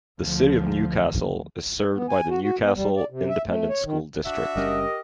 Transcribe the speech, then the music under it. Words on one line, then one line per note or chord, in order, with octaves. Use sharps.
The City of Newcastle is served by the Newcastle Independent School District.
D2 F3
B3
G#5
F#4
F#4
B3
G3
D5
C3
E5
A3
C#5
D#3
D4 F#4 E5
F#1 G3 C#4 G4 A#4 D#5